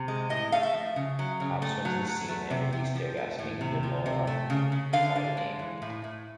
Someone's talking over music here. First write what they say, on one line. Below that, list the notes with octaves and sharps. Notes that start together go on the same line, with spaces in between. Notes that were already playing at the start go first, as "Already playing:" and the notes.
The cops went to the scene and released tear gas, making Mendiola quiet again.
Already playing: C3
G#3
A2 D#5
A3 F5
E5
F3
C#3
F#3
C#3
A3
F#3
F#3
A3
C3
C3
F3
A3
A2
C3
F3
C3
A3
C#3
C#3
D3 F5
D3
G#3
E3
A2
A2